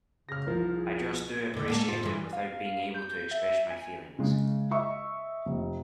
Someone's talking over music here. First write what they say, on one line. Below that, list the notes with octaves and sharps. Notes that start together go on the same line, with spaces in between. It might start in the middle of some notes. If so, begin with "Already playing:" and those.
I just do appreciate it without being able to express my feelings.
C#3 F6 A#6
C2 F3 A#4
G#4
D#2 D3
A#3 G4 A4
C4 F4
G2 E3
F5
G6
E5
G#5
C#3 G#3
D#5 E5 C#6
F1